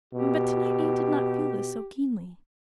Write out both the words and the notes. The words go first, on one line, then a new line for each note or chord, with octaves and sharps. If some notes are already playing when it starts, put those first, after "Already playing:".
But tonight Anne did not feel this so keenly.
B2 G4